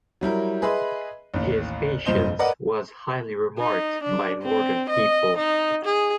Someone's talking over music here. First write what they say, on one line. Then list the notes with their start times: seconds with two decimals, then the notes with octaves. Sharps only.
His patience was highly remarked by modern people.
0.21 F#3 G3 E4 A#4
0.62 G#4 B4 D#5 E5 B5 C6
1.34 A1 D#2
2.05 F1 G2 A#2 C5 D#5 G7
2.39 A#4 B4 D5 D#5 F#5
3.58 D#4
4.03 D4
4.42 C4
4.90 D#5
5.37 D#4
5.85 G#4